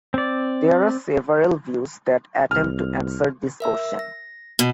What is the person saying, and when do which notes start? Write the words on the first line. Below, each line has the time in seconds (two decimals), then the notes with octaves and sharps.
There are several views that attempt to answer this question.
0.14 C4 D5
2.51 C2 F6
3.60 A#4 E5 E6
3.99 A#6
4.59 B2 D#5